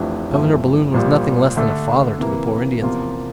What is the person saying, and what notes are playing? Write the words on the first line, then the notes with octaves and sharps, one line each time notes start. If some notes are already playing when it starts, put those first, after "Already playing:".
Governor Balloon was nothing less than a father to the poor Indians.
Already playing: F1 F2 E3 A3 D4
G1 F2 E3 A3
A#1 A#2 G3
D3 A3 D4 A4
C3 E3 A#3
E2 C3 F3 A#3 F4